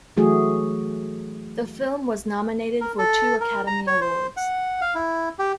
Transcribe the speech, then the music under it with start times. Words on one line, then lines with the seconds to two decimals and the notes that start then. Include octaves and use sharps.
The film was nominated for two Academy Awards.
0.17 E3 F#3 A3 F#4 G#4
2.81 A#4
2.98 A4
3.41 A#4
3.67 A#5
3.87 C#5
4.01 C5
4.37 F#5
4.81 F5
4.95 E4
5.39 G4